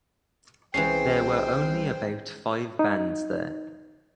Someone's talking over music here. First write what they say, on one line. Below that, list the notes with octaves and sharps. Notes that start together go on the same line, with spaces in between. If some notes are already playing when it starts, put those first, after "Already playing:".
There were only about five bands there.
C2 E3 G#3 C#4 C5 G5 C7
D#4